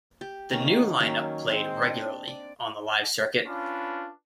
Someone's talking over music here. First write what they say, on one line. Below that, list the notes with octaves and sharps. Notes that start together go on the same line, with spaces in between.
The new line-up played regularly on the live circuit.
G4
D#3 A#3 C#4
D#3 F#3 A#3 C#4
G#3 C4 C5
D4
D5
C#4 D4 F4 B4